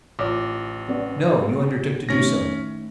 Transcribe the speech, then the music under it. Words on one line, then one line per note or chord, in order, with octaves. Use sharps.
"No!--you undertook to do so."
A1 F4 C#5 D6
B3 C#4 D5
A2 D#3 C#4 A#6